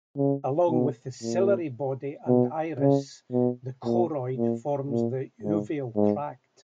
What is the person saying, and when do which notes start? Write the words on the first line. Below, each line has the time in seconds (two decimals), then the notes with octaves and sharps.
Along with the ciliary body and iris, the choroid forms the uveal tract.
0.17 C#3
0.70 B2
1.23 A#2
2.28 B2
2.80 C#3
3.33 B2
3.86 A#2
4.38 A#2
4.91 A#2
5.43 G#2
5.96 G#2